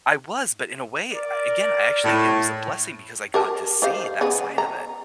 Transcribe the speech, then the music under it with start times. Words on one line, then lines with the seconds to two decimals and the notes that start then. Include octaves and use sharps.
I was, but in a way, a again, I actually it was a blessing because I got to see that side of it,
1.12 A#4 D5
2.04 A2
3.34 G4 A#4 A5
3.82 G4 C5 F5
4.21 C#3 B3 G#4
4.58 A#5